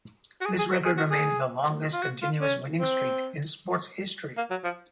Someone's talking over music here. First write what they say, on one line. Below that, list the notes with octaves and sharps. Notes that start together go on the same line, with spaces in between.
This record remains the longest continuous winning streak in sports history.
F#4
G#4
G#4
F#4
G#4
F#4
G#4
F4
F#4
F4
C#4
C4
A#3
F#3
F3